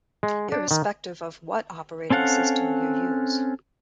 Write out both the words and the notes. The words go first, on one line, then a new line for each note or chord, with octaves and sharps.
Irrespective of what operating system you use.
G#3
D4
D#3
C4 C#4 A4 F5 F#5